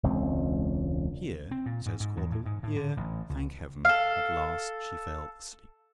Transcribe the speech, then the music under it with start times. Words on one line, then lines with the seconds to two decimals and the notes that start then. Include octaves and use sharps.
"And here," says Caudle--"Here, thank Heaven! at last she fell asleep."
0.03 E1 C#2 C4
1.51 C4
1.66 A#2
1.86 G#2
2.00 G#2
2.17 E2
2.32 A2
2.46 G#2
2.63 A2
2.76 D3
2.97 A1
3.29 C#2
3.85 A4 F5